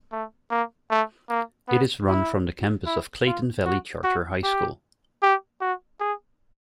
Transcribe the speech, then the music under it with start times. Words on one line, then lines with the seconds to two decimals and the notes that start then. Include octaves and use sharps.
It is run from the campus of Clayton Valley Charter High School.
0.12 A3
0.51 A#3
0.90 A3
1.29 A#3
1.68 B3
2.08 E4
2.86 E4
3.26 F4
3.65 F#4
4.03 F#4
4.43 G4
5.22 G4
5.61 F#4
6.01 G#4